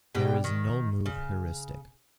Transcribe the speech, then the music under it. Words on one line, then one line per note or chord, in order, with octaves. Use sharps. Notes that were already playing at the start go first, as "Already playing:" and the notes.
There is Null-move heuristic.
B2 G3 G5
D#3
C#3